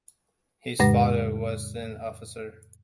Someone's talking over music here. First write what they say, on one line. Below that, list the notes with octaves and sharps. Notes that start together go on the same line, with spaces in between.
His father was an officer.
F2 A2 C#3 G#3 B4 A#6